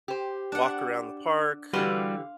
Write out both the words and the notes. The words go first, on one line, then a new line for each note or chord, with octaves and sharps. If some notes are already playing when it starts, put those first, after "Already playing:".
walk around the park,
G4 C5
D4 F#5
D3 E3 G3 F#4 G4 B4 F5 C6